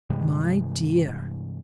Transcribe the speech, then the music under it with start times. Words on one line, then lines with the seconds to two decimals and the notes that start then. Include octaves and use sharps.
"My dear!"
0.10 G2 C3 E3 G#3